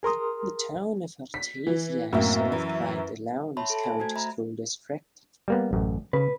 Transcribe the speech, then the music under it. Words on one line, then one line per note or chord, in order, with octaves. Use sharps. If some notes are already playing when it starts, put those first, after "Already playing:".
The Town of Artesia is served by the Lowndes County School District.
G#4 A#4 C6 D#6
B6
E3
F#2 A2 A#3 C4 E5
E3
C#5 E5 A5 B5 C6
A4 A5
C5 G#5
A3 F#4 C5 G#6
E5 A#5 B5
G3 A#3 B3
A1 F#2
C#3 B4